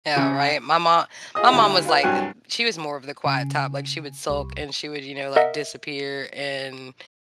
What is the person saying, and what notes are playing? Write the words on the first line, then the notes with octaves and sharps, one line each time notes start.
Yeah, right. My mo my mom was like she was more of the quiet type. Like, she would sulk and she would, you know, like, disappear and
C#3
F4 G#4 D#5 D#6
D2 G3 E4
F4 B4
C2 G2 F#3 F#5 G#5 F#6
C#3
C2
A#4 D#5 E5 F#5